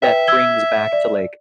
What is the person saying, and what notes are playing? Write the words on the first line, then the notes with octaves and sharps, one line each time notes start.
that brings back to, like,
B4 E5 G5
E6 G#6 G7
D5